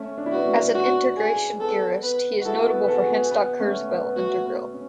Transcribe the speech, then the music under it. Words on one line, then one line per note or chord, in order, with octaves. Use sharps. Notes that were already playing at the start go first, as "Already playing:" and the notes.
As an Integration theorist, he is notable for Henstock-Kurzweil integral.
Already playing: A3 C#4
D4
E4
B3 D4 F#4
A3 C#4
F#4
G#4
B3 A4
B3 B4
F#4
E4 G#4 A4
B3
B4
F#4 G#4 A4
B3
B3
A3 C#4
B3
B3
A3 F#4
B3
C#4